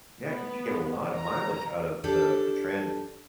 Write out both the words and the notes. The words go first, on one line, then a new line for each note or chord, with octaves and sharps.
Yeah, you could get a lotta mileage out of the the trend,
B3
A#5
D4 G4 A4